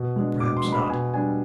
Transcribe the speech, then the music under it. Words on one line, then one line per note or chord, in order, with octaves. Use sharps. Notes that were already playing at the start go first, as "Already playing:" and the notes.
But perhaps not.
Already playing: B2
G#3 D4
B2 D6
C6
G#3 D4
B5
B2 G#5
G3 D4 G#5